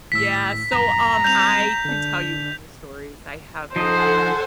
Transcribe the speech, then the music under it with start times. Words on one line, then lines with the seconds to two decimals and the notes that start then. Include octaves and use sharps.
Yeah, so, um, I can tell you many stories. I have a very
0.12 G#1 A2 E6 B6
0.72 B1 E2 G2 A#5
1.24 G3 C4 G6 F7
1.85 D3 D4
3.76 F3 D#4 A4 C5 D#5 F#5 G#5